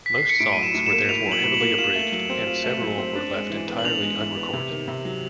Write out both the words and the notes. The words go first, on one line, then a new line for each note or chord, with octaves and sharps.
Most songs were therefore heavily abridged and several were left entirely unrecorded.
B6
C7
C#7
A2 D7
F#3 D#7
E7
A2
E7
A#3
A2 F7
F#3
F#7
A2
F#7
A#3
F4 E7
A3
F#3
C4
F4
A3
F#3
C4
D4
G#3
E3
B3
F#7
D4 F7
G#3
E3
B3
C3
D#3
C3
F#3